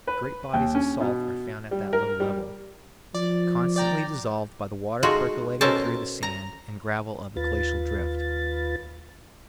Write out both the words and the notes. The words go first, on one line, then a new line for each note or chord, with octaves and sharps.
Great bodies of salt are found at that low level, constantly dissolved by the water percolating through the sand and gravel of the glacial drift.
B4
D#2
C#4
B2
G3
A#4
G3
F3 D5
D5 G5 A#5
G#3 A3 D#4 F4 F#4
B2 C#4 A4 A#4 C5 A5
A#5
D#2 F4 B4 A6